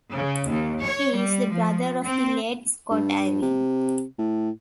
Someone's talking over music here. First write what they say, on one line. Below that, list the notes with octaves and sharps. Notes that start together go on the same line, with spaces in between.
He is the brother of the late Scott Irwin.
C#3
D#2
C#5
G3
F3
C4
G2
C3
A2